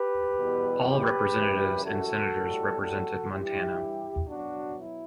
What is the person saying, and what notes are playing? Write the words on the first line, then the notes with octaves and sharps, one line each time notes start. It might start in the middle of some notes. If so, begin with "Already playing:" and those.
All representatives and senators represented Montana.
Already playing: G4 B4
E2 B2 G3
G4 B4
F#2 E3 G3
F#4 A4
A2 G3
F#4 A4
G2 E3 G3 E4 G4
B2 F#3 D4 F#4
E4